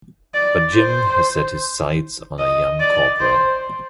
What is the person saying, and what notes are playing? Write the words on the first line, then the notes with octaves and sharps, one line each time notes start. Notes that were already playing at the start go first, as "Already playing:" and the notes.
But Jim has set his sights on a young corporal.
D5
C5
D#5
D5
C5